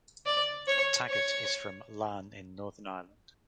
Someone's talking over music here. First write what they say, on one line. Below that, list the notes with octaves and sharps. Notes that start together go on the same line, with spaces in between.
Taggart is from Larne in Northern Ireland.
D5
C#5
C#5